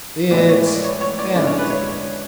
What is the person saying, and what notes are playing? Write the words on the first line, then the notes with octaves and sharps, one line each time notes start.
"It's empty."
A2 E3 G#3 B3 E4 D5
C#5
D5
C#5
C#5
D5
D3 G#3 C#4 E4 D5
C#5
B4
C#5